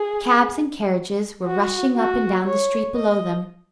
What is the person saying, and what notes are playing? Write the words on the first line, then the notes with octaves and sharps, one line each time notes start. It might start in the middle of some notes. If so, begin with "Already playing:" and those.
Cabs and carriages were rushing up and down the street below them.
Already playing: G#4
F#4
F#4
C#5
D#5